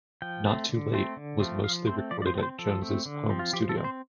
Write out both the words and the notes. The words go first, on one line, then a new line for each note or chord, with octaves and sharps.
"Not Too Late" was mostly recorded at Jones' home studio.
F3 G5
A3 C4
D3
A3 C4
D3
F3 A3 C4
F3 F5
A3 C4 C5
F3 D5
D5
C5
C4 A4
C5
F3 A4
A3 C4
D3
F3 C4
F4
F3 G4
A4
C4
C5